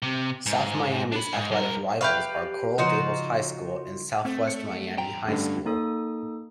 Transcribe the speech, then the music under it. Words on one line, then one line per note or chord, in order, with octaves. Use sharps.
South Miami's athletic rivals are Coral Gables High School and Southwest Miami High School.
C3
G#2
D4 B5
G#2
G2 A#4
G4 B4 E5 F5 C#6
C#3 F3 D#4 F4 F#4
A3 C4
C#7
E2 G5 A#5
G2 D3 A3 B3 C#4
A#3 D#4 A4 D#6